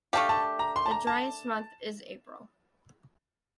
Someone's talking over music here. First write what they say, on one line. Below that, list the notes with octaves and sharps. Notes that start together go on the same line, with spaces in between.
The driest month is April.
A3 D4 G4 F5
A5
A#5
C6
A5
A#5
A5